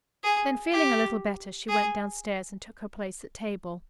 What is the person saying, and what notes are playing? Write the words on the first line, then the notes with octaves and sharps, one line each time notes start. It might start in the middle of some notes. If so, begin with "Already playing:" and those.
Then, feeling a little better, she went downstairs, and took her place at table.
G#4
G4
G#4